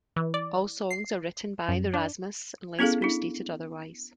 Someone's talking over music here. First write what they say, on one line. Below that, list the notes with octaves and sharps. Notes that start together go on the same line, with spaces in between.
All songs are written by The Rasmus, unless where stated otherwise.
E3
D5
C7
F#2
D4
B3 C#4 E4 G#4 A4 F5
D4 E4